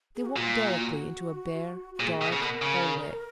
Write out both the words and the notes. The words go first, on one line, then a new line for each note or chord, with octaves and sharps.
They walked directly into a bare, dark hallway.
G#4
F#4
A#2 F4
F#4
F#4
A#2 G#4
B2
C#3
B2 A#4
C#3